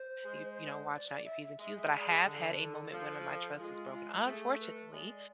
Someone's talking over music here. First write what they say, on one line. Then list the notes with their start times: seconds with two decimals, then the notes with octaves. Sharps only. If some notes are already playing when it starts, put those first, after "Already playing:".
you you know, watching out your Ps and Qs. But I have had a moment when m my trust was broken, unfortunately,
Already playing: C5
0.25 G#3
0.92 D5
1.09 D5
1.25 E5
1.42 E5
1.59 G#3 E5
1.75 E5
1.92 G#3 D5
2.09 G#4
2.26 D3 A4
2.92 F3
3.59 G#3 F4
3.93 F4
4.26 A3 G#4
4.60 B4
4.93 G#3 D5